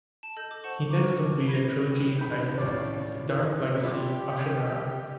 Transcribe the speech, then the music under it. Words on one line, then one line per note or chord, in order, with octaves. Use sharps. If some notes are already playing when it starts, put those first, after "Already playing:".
He next completed a trilogy entitled "The Dark Legacy of Shannara".
A5
A4 D#5 G6
D6
C5 F#5 A5 C#6
F#4 A4 A#5 C#6 D6
B5 G#6 A#6
G4
D#4 B5 G6
D#2 A2 C#3 C#5 D5
C#4 E4 F#6
F4 G4 D5 B5